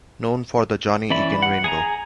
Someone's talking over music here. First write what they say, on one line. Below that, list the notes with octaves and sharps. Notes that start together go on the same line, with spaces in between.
Known for the Johnny Egan Rainbow.
E3 C#4 D5 E5 B5
F#5
G#4 G#5 A#5